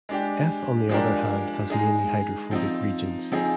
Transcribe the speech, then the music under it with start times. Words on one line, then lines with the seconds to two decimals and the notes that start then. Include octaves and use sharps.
F on the other hand has mainly hydrophobic regions.
0.09 G#3 D4 G4
0.89 F3 G#3 D4 G4 A#4
1.70 G#3 D#4 G#4
2.51 F3 C4 D#4
3.32 F3 C4 D#4 G#4